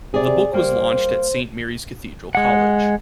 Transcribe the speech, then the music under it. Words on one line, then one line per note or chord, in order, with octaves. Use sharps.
The book was launched at Saint Mary's Cathedral College.
C3 G#4 D5
G3 A#3 C5
G#3 F#5